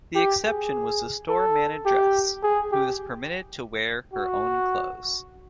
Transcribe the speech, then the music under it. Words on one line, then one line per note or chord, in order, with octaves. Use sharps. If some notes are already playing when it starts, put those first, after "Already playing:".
The exception was the store manageress, who was permitted to wear her own clothes.
G4
G#4
A4
G4
G#4
G4
F#4